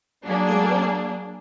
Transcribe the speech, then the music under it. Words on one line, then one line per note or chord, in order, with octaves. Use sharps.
in the old,
F#3 A#3 D4 G#4